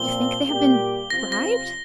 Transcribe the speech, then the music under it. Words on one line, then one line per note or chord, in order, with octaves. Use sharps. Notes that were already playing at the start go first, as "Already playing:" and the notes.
"You think they have been, bribed?"
Already playing: A#2 F3 C4 G7
A#2 G3 A#3 G4
C3 F3 C4 F4 A#6
A#6